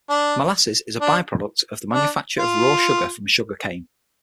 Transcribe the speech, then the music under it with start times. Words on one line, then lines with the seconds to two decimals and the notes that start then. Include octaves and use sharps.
Molasses is a by-product of the manufacture of raw sugar from sugar cane.
0.09 D4
1.01 D4
1.94 D4
2.39 F4